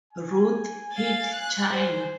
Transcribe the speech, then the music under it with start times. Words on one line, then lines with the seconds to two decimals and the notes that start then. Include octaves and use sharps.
Ruth hit China.
0.13 G#5
0.92 F5 A6
1.33 F#6
1.71 C5